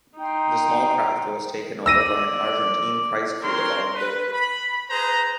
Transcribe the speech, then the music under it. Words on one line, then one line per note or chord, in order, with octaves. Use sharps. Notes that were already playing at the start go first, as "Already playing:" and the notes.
The small craft was taken over by an Argentine prize crew the following day.
D#4 G5 C6
D5 E6 A#6 D#7
C4 A#4 C#5 C6
B4
B5
G#4 B4 C5 A#5